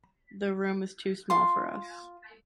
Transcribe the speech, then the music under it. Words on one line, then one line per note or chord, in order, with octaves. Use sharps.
The room is too small for us.
F4 C6